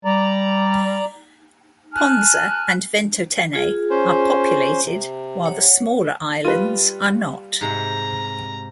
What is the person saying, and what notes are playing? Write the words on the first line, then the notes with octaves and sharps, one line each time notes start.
Ponza and Ventotene are populated, while the smaller islands are not.
G3 D5 A#5
G#5 A5 F6 F#6
F4 G#4
C#4 C5
C3
C#5 F#5
G3 F4 B4 D#7
G#2 C3 A#5